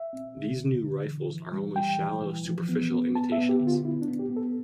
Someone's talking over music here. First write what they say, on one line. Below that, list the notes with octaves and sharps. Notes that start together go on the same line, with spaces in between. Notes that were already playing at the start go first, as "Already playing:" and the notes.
These new rifles are only shallow, superficial imitations.
Already playing: E5
C4
D3
D3
D3
E3
E3
G3
G3 G5
E3
E3
F3
B3
B3
B3 A5
E5
B3
G4
D3
F4
B3 E4
D4
B3
G4
B3
A4